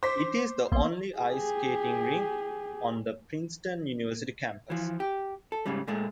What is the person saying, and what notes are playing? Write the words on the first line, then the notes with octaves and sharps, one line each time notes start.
It is the only ice skating rink on the Princeton University campus.
C5 D6 B6
A#1 A#3 B3 C6
G4 G#4
E3 F3
G4
A4
G#2 C#3 G3
A#2 G#3 A3